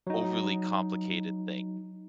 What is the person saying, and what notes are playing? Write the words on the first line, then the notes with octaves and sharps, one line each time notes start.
overly complicated thing.
F#3 D#4